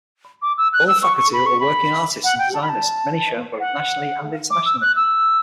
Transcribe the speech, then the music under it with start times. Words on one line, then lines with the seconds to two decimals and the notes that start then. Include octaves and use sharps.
All faculty are working artists and designers, many showing both nationally and internationally.
0.42 D6
0.58 E6
0.73 F#6
0.88 E6
1.03 C#6
1.17 C#6
1.33 B5
1.46 C#6
1.60 B5
2.24 F#5
2.39 G5
2.54 A5
2.62 B5
2.69 A5
3.60 F#5
4.51 D6
4.66 E6
4.81 F#6
4.96 E6